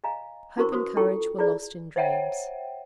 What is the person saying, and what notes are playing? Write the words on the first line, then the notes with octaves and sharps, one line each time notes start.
Hope and courage were lost in dreams.
D#5 F5 G#5 A#5
C#4 E4 F#4 A#4 C5 C#6
F#4 B4 C5 D#6
E4 F4 A4 G5 C#6
E4 F4 G#4 B4 D5
C5 C#5 E5 F#5 G5